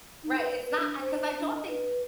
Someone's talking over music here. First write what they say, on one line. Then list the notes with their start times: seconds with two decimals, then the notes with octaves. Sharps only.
Right, it's not I 'cause I don't think
0.24 D#4
0.39 B4
0.66 B4
0.80 D4
1.01 C5
1.39 D4
1.56 D#5
1.68 B4